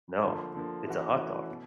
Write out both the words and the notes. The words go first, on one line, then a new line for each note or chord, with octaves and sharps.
No. It's a hot dog.
D3 F3 A#3
D3 F3 A#3
E3 A3 C#4 F#4
E3 A3 C#4 F#4
B2